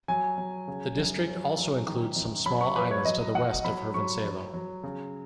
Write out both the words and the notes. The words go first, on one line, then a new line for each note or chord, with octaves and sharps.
The district also includes some small islands to the west of Hirvensalo.
F#3 G#5
F#3
C#3
F#2
F#3
F#3
D#3
F#2
F#3 B5
C#6
F#3 B4
C#5
F#3 D#5
F#3 F#5
F#3 B5
F#3 C#6
F#3
F#3
C#3